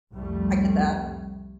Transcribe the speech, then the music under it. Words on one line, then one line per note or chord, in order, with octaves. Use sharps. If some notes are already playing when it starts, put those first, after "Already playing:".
I get that.
C2 F2 G3 A3